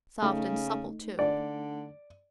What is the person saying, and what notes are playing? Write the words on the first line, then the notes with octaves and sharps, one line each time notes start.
Soft and supple too.
C#3 A3 D#4
D3 D5